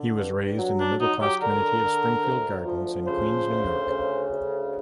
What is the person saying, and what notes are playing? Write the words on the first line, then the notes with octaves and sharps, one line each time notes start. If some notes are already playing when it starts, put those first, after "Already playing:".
He was raised in the middle-class community of Springfield Gardens, in Queens, New York.
Already playing: D3
G2
F#3
D4
F#3 D#4
G4
D3 A#4
D3
D2
F3
C#3 C5
D2
C#3
D2